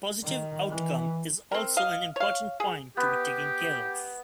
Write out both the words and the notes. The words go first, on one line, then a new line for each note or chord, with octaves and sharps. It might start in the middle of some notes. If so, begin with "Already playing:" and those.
Positive outcome is also an important point to be taking care of.
D#3
E3
C4 A#4
D#5 F5
C#5 F5
G#4
B3 G4